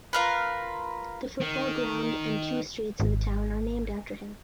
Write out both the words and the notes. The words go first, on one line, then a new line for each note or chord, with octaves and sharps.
The football ground and two streets in the town are named after him.
F4 A#4 B4
D#3
G#1